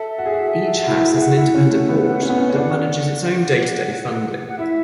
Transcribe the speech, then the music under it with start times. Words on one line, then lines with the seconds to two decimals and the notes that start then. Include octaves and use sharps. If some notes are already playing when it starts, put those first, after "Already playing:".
Each House has an independent board that manages its own day-to-day funding.
Already playing: A4 E5
0.18 F#4
0.26 G#4
0.33 F#4
0.78 F#4
0.87 E4
1.13 G#4
1.20 F#4 F#5
1.37 E4
1.55 C#4
1.71 A3
1.88 B3
2.22 C#4
2.29 B3
2.38 C#4
2.50 C#4
2.55 D4
3.23 F#5
4.48 F#5
4.58 E4 E5